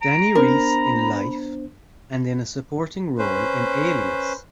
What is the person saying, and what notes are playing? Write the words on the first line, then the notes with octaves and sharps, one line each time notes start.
Dani Reese in "Life", and in a supporting role in "Alias".
A#5 D7
B3 D4 A#4 C5 B5
C#4 B4 C5